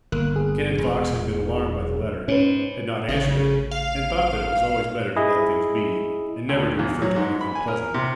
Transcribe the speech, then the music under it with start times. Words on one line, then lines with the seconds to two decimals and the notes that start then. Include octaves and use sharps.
Canon Fox had been alarmed by the letter, had not answered it, and thought that it was always better to let things be, and never to refer to anything unpleasant.
0.12 G1 A#3 F#6
0.36 G#4
0.78 E1
2.28 G#2 C#4 B4
3.09 A1 C#3
3.71 F5
5.16 E4 G#4 D#5
6.49 D2
6.79 E2
7.02 F#3
7.16 G#2
7.41 B5
7.55 G#5
7.68 A#4
7.94 C3